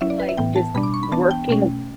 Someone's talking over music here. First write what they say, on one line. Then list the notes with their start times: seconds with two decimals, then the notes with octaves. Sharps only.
I feel like just working
0.01 F#3 C#4 E4 E5
0.10 D5
0.20 B4
0.29 E5
0.38 A2 E3 B3 G5
0.56 A5
0.75 B2 G3 D4 B5
0.83 D6
0.94 C#6
1.03 B5
1.12 E3 B3 D4 A5
1.31 G5
1.49 B2 A3 C#4